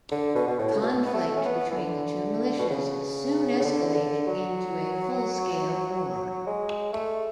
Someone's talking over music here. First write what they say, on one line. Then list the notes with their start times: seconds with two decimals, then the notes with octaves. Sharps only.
Conflict between the two militias soon escalated into a full-scale war.
0.12 D3
0.35 B2
0.47 B2
0.59 A2
0.74 C#3
0.83 B2
1.06 B3
1.14 A3
1.36 C#4
1.45 B3
1.71 E3
1.76 D3
2.59 B2
2.70 C#3
3.60 C#3
3.64 D3
3.95 D3
4.27 F#3
6.47 G#3
6.93 A3